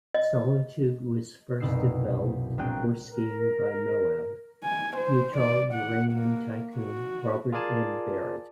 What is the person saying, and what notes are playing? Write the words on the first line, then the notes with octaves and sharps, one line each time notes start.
Solitude was first developed for skiing by Moab, Utah uranium tycoon Robert M. Barrett.
D#5
F#1 C2 B2 D#4 E6 C7
A#1 G#3 C4 G5 F#6 D#7
A#4
G#5
C5
D5
F#5
A#3
F#4
F4 G#4 A#4 D5 G#5 A5